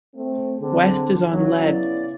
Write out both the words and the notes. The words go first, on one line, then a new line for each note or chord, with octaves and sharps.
West is on lead.
A3 C4
D3 C4 G#4
C#3 F#3 B3 E4
D5